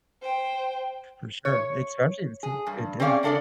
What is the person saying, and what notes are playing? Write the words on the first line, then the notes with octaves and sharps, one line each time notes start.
for sure. Especially if it's a good deal.
C5 G5
C#5
G#4
G2
C4 C#4 G#4 D5 E5 F5
C#3 D4 A4 C#5 D5